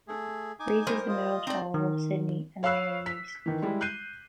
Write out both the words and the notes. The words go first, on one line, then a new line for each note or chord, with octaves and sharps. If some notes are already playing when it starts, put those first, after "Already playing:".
Rees is the middle child of Sidney and Mary Rees.
A3 G#4
D#4 G#5 D6
G3 A#4 C5
F4 D#5
C4 D4 D#4 D5 A#5
D#3
C#5 F5 B5 E6 F#6 C7
B6
D#3 E3
G3 G#3 E4
F#6 G6 C7 D#7